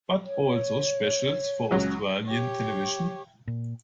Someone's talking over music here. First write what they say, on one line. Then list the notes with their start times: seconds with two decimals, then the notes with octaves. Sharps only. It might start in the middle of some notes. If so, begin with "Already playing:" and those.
But Also specials for Australian television.
0.25 C#5
1.71 C#2 F#3 C#4
2.27 G4 C#5
3.48 A#2